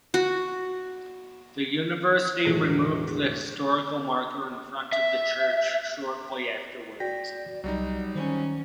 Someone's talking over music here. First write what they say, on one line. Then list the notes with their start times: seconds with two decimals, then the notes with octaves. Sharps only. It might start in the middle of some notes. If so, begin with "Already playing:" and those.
The university removed the historical marker in front of the church shortly afterward.
0.14 F#4
2.45 E1 E2 A2 G#4 A4 A#6
4.92 E5
7.00 F#4 D5 G5 A#6 B6
7.64 C2 F#3 G3 D#4 D5
8.15 D#3 C#4 C5